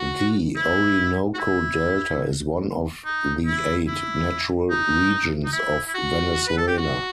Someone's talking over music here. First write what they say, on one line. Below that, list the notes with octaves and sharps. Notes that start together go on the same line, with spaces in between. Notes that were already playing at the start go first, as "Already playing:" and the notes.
The Orinoco Delta is one of the eight natural regions of Venezuela.
Already playing: F#4
E4
F#4
E4
D#4
E4
E4
D#4
D#4
E4
E4
F#4
B4
A4
G4
F#4